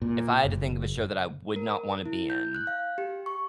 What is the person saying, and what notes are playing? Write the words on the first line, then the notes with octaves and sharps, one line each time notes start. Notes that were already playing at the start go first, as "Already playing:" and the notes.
if I had to think of a show that I would not wanna be in,
A#2
F#1
A#4
E4
G6
F#6
F5
G4
C#6